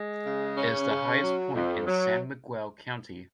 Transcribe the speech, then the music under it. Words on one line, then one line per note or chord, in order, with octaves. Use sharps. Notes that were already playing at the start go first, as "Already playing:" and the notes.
It is the highest point in San Miguel County.
Already playing: G#3
C#3
C#4
C#3
F#3
F2
F#3